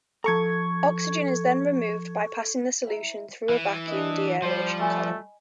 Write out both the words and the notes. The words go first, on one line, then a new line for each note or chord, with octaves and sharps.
Oxygen is then removed by passing the solution through a vacuum de-aeration column.
F3 A4 A#5 C#6 G#6
E4 E5 A#5
E3 B5
D4 E4 A#4 D#5
F3 G3 C5
A3 D#5 G#5 B5